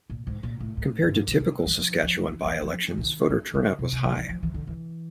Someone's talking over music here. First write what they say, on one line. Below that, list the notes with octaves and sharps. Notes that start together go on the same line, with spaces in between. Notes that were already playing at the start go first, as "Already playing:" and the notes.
Compared to typical Saskatchewan by-elections, voter turnout was high.
A#2
G#2
A#2
A2
A2
G2
C3
D3
E3
F3
F3
E3
E3
F3
D3
D#3
D3
C#3
B2
C3
D#3
E3
F3
E3
D3
E3